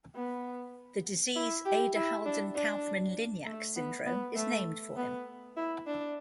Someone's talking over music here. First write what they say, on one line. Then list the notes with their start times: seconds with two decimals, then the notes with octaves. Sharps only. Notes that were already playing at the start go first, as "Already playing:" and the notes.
The disease Abderhalden-Kaufmann-Lignac syndrome is named for him.
0.15 B3
1.35 E4
1.65 G4
1.95 E4
2.26 D4
2.55 D4
3.46 A3
3.75 B3
4.06 B3
4.35 A3
4.96 B3
5.57 E4
5.87 D4